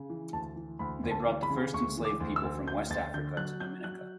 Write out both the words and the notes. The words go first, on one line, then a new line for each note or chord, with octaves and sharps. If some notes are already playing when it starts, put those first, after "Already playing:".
They brought the first enslaved people from West Africa to Dominica.
Already playing: C#3
E3
D2 A5
E3
D2 B5
D2
A5
E3
B5
C#3
D2 C#6
E3
D6
D2
E6
D2
D2 G6
D2 A6
D3 G6
F#3 F#6
F#3 G6
F#3 F#6